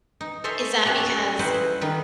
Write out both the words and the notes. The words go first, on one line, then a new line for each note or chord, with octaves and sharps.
Is that because
D#4
A4 C5 C#5 D#5 E5 G#5
C#4 F#4 G4 C#5
A4 A#5
G3 D#4 E4 B4 C5 F#5
D3 D#3 G3 D#4